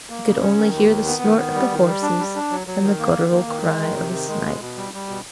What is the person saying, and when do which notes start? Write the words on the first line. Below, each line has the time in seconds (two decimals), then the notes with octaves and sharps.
He could only hear the snort of the horses, and the guttural cry of a snipe.
0.10 A#3
0.26 C#3
0.41 C#4
0.58 D#3
0.74 D#2
0.90 D#3
1.06 B3
1.22 D#3
1.38 B3
1.54 G3
1.71 D#3
1.87 G3
2.02 D4
2.19 G3
2.36 D4
2.51 F#3
2.67 F#3
2.83 D#3
2.99 A#3
3.16 D#3
3.32 A#3
3.47 D#3
3.64 G#3
3.80 D#3
3.96 C3
4.12 D#3
4.29 G#3
4.45 B2
4.61 B2
4.77 G3
4.94 G3
5.09 B2